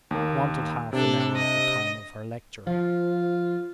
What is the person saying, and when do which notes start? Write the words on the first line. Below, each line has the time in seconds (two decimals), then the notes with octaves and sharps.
It wanted half an hour of the time of her lecture.
0.11 D#2 A#3
0.93 C3 D4 A4
1.36 D#5
2.67 F3 F4